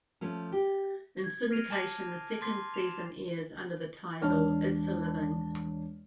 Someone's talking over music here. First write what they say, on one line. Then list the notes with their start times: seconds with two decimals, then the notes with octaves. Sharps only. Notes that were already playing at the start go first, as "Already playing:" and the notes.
In syndication, the second season airs under the title "It's a Living".
0.21 F3 A3 C#4
0.52 G4
1.24 G#6
1.51 F6 A#6 C7 D7 D#7 F7
1.70 G#5 A5 D6 G6
2.41 C6 D6 G6 A6 B6 C7
2.74 E7 F7
4.22 E1 D4 C#5 F6